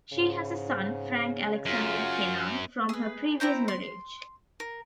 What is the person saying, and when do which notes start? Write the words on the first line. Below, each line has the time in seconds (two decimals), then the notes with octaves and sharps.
She has a son, Frank Alexander Kennan, from her previous marriage.
0.13 G#2 C#3
1.65 F#2 F4
2.89 G#4 B4
3.40 C4 E4 A#5 G6
3.68 C6
4.60 A#4